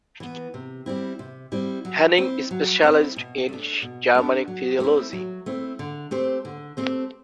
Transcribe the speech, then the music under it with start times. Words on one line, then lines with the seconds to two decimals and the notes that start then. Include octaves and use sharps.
Henning specialized in Germanic philology.
0.20 E3 B3
0.54 C3
0.86 G3 C4 E4
1.19 C3
1.52 G3 C4 E4
1.85 F#3
2.18 C4 E4
2.51 F#3
2.83 C4 E4
3.16 B2
3.49 A3 D4
3.82 B2
4.15 A3 D4
4.48 F#3
4.80 A3 C4 E4
5.13 F#3
5.46 A3 C4 E4
5.79 D3
6.11 A3 C4 G4 C5
6.45 D3
6.77 A3 C4 G4 C5